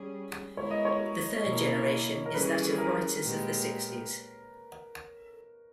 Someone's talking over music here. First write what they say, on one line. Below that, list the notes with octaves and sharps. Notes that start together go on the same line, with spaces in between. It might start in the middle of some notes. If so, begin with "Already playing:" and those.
The third generation is that of writers of the sixties.
Already playing: G3 C#4 G#4
G#3 B3 E4 A#4 C#5
D#5
C#5
B2 A#3 E4 A#4
A#4
E3 G3 C#4 E4 G#4 B4
A#4
A#2 G#3 B3 G4